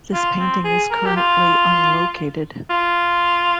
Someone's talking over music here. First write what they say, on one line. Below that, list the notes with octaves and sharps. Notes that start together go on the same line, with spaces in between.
This painting is currently unlocated.
F4
C4
G#4
A#4
G4
F4
F4